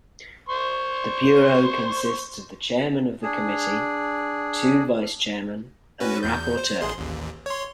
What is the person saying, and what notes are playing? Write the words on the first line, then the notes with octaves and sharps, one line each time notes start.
The Bureau consists of the Chairman of the Committee, two Vice-Chairmen and the Rapporteur.
C5 C6 C#6
D4 G#4
C#4 F#4 B4
E2 G6
C5
A1 G#4 C6
A1 D#2
C#5 C6